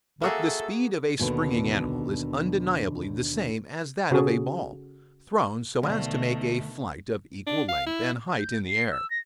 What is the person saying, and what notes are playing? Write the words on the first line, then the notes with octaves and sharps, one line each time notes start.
But the speed of a springing animal is undeniably the same as that of a ball, thrown so as to make a flight of equal length and height in the air.
A#3 F#4 G#4 A4 E5
D#2 B2 D3
C#3 F#4 G#4 A4
D2 B2 D#3 A3
D4
F5
E4
G6
C7
E6
A#6